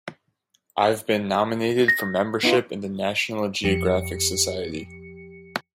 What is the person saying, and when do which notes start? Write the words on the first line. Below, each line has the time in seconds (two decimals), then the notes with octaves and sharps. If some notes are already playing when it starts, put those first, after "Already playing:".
I've been nominated for membership in the National Geographic Society.
1.88 A#6
2.43 B3 D#4 F4
3.64 F2 G4 C#7